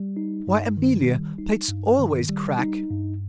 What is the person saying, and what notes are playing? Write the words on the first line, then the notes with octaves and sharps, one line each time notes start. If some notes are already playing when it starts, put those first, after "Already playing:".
"Why, Amelia, plaits always crack!"
Already playing: G3
D#4
G2
D#3
G3
D#4
G2
D#3
G3
D#4
G2